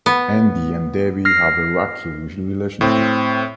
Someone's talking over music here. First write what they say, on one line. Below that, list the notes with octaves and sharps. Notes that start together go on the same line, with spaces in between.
Andy and Debbie have a rocky relationship.
B3
F6 A#6 C7
A2 C4